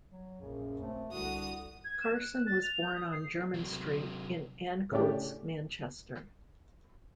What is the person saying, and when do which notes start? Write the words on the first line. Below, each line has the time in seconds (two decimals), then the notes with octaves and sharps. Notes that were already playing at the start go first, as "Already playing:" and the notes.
Carson was born on German Street in Ancoats, Manchester.
0.12 F#3
0.41 A#1 F#2 C#3
0.81 A3 C4
1.12 C2 D3 F#4 D#6
1.85 G#6
2.01 E7
2.15 F#6
2.34 F#6
2.46 A6
2.63 F7
2.82 G6
2.95 D#6
3.13 C7
3.54 C3 F#3
4.91 A2 C#3 A3 C#4 D4 G4